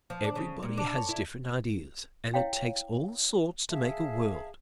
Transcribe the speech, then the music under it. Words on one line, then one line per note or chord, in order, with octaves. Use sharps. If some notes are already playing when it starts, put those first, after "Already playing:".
Everybody has different ideals, and it takes all sorts to make a world.
F3
D4
C#3
A#2
D4
C#5
E4
E4 C#5 F5 G5
G#4 E5 F5 A5